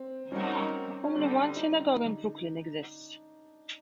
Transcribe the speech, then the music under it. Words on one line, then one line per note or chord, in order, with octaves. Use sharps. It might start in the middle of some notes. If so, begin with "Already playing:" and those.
Only one synagogue in Brooklyn exists.
Already playing: C4
G3 C4 C#4 D#4 F#4 A#4
C#4
D3 G3 C4 D4
D#4